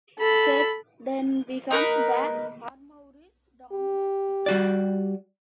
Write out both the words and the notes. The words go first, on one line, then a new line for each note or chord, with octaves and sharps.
Kerr then became the Armoury's dominant figure.
A4 B5
D#4 A#4 B4
G4
G3 F#4 D5